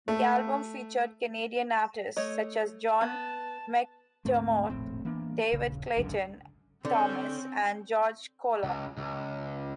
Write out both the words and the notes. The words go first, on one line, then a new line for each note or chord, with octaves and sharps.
The album featured Canadian artists such as John McDermott, David Clayton-Thomas and George Koller.
A3
A3 C#5 D#5
B3 A5
D2 G#2 A3 C4
F1 A#1 A2 C4
E3 A#3 B3 D4
D#1 A#1 C#3
G#1 C#2 F#2 D3
D3 C4 C#4 C5 G5
C#2
C#2